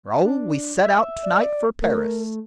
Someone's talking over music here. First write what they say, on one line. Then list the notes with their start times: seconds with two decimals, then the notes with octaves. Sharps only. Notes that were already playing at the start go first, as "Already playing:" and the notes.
"Raoul, we set out to-night for Paris."
0.24 D4
0.82 E5
1.23 D5
1.82 A3 A#4